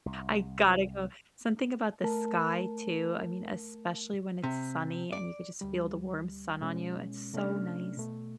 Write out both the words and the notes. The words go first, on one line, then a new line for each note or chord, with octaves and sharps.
I gotta go." Something about the sky, too, I mean, especially when it's sunny, and you could just feel the warm sun on you. It's so nice.
C2
A3 A#4 A5
C3
D5
D2 G3
B2 G#3 C#4
C3 A3 C#4 D4 D5 F6
B2 A3